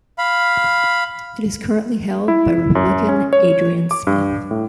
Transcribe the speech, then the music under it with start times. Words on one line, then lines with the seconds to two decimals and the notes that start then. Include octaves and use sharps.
It is currently held by Republican Adrian Smith.
0.18 F5 B5
2.28 E4
2.75 F#2
3.09 C#4
3.33 C#5
3.91 D6
4.07 G2
4.51 A2